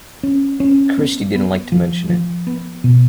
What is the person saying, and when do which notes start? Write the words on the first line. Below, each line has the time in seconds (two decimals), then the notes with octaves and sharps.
Kirsty didn’t like to mention it.
0.23 C#4
0.60 C#4
0.98 B3
1.35 B3
1.72 F3
2.09 F3
2.47 B3
2.84 B2